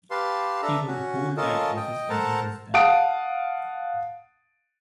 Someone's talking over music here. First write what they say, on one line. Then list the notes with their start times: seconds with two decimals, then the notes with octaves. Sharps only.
He would hold that office until his death.
0.11 G4 B4 F5 A5 C6
0.62 D4 A4 E5 A#5
0.88 C#4 F#4
1.37 C#4 F4 A4 A#4 D#5 A5
1.77 D#5 G5
2.10 A4 A#4 C5 F#5 A5 A#5
2.74 F5 F#5 A5 D#6 D7